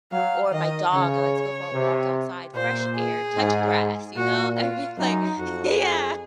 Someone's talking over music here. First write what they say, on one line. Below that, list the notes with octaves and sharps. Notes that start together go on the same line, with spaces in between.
or my dog, I like to go for a walk outside, fresh air, touch grass, you know? I'd be like Yeah!
F#3 F5
D#3 D#5
C#3 C#5
C3
A#2 C5
G#4
G#2
A#2 F#4
F4
F#2 D#4
F2 F#4
G#4